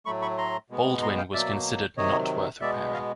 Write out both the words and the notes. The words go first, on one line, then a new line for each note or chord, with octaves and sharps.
"Baldwin" was considered not worth repairing.
A2 F#3 A3 B5 C#6
B5 C#6
A#5 C6
B2 G#3 B3
A#5 C6
F5 G5
B2 F#3 A#3 D5 E5
C3 D#3 F#3 C#5 D#5
B2 G#3 B3 D5 E5
D#5 F5